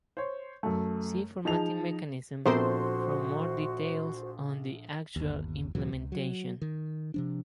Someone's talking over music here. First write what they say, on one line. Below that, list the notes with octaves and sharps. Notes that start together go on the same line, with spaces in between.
See Formatting Mechanism for more details on the actual implementation.
C5 C#5
F#2 A3
F3 D#4 G#4 A5 F7
A#1 B3 C4 F#4 A4 A#4 C5 C6
G1 D#2
D2 A#2 E3 F#3
C#2
F#3
D#3
C3 F3 D4